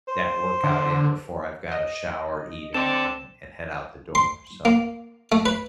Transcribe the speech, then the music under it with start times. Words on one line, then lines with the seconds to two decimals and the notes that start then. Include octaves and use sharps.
that workout in before I've gotta shower, eat, and and and head out the door, so,
0.08 C5
0.64 D3
1.72 D#5
2.74 C4 A4 D5 E7
4.15 C6
4.65 A#3
5.32 A3
5.46 B4